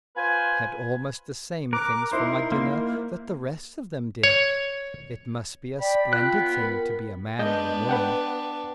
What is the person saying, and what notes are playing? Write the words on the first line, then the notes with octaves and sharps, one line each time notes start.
I had almost the same things for my dinner that the rest of them did: it must be a splendid thing to be a man or a woman!
F4 B4 C5 G#5
A#4 D6 F#6
D#4 E4 C5 C6
A#3
C#5
D5 G5 B5
F4 F#6
B3
A#4
G#3 B3 D4 D#5 G6
B4 F#5 G5